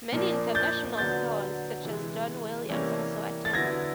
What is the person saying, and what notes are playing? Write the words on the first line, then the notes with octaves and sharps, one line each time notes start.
Many international stars, such as John Williams, also attend.
A#2 F3 A#3 D4
G6 A6
D3 F#3 B3 G6 A6
C3 E3 G#3
C3 E3 G3 A#3 C#4
A6
D3 F#3 B3 E4 G#6 A#6